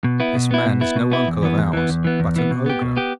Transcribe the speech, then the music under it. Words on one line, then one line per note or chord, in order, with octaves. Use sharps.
This man is no uncle of ours, but an ogre.'
B2
B3 E4
B2
B3 E4
B2
B3 E4
B2
B3 E4
E2
E3 B3
E2
E3 B3
E2
E3 B3
E2
E3 B3
B2
B3 G4
B2
B3 G4